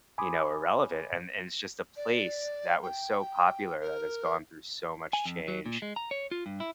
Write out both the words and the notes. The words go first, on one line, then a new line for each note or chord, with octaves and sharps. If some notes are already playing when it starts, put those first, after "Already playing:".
you know, irrelevant and and it's just a place that was so popular that has gone through so much change
G#5 B5 C6 D6 D#6
D5
G5
A#4
G#5
F2
F#3
A#2
G#3
A#5
C#5
F4
G2
E4